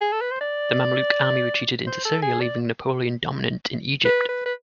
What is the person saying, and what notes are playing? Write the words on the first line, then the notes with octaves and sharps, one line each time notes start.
The Mameluke army retreated into Syria, leaving Napoleon dominant in Egypt.
G#4
A4
B4
C5
D5
C5
A4
G#4
D5
B4
B4
B4